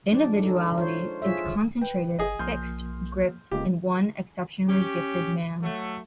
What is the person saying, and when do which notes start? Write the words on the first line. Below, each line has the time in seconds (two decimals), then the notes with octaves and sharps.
Individuality is concentrated, fixed, gripped in one exceptionally gifted man.
0.10 F3 G#3 D4 D5
0.39 D#4 A4
0.76 F4 C5 C#5
1.22 F4 G#4 C#5 E5
1.81 B4 G5
2.19 G1 G#4 D#5
2.39 B1 F3 A#3 C6 F6 G6
3.51 E1 C#3 G#3 A#3 B3 F4 G4
4.68 C#4 G4
5.62 F#3 A3